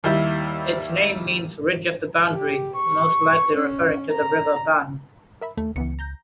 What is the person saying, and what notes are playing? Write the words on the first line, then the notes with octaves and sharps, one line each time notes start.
Its name means "ridge of the boundary", most likely referring to the River Bann.
D#2 G3 E4
G4
C#6
C#4
A#5
A#4 E5 B5
D#2 A3
C#2 E3 B3 C#7
A#5 G6 A#6